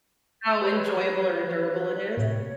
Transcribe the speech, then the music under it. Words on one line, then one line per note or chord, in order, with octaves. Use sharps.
how enjoyable or endurable it is?
G4 B4 C#5 B5
A2 C3 C#5